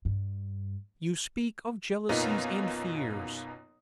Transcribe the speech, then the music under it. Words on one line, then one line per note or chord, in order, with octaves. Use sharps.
You speak of jealousies and fears.
G2
F#2 B2 A#3 B3 D#4 F4